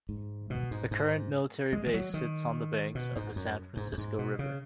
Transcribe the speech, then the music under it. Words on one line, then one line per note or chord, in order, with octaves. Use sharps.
The current military base sits on the banks of the San Francisco River.
G#2
B2
G#2
G#2
G#3
D#3
F#3
D#3
B2
G#2
F#2
G#2
F#2
G#2
B2
C#3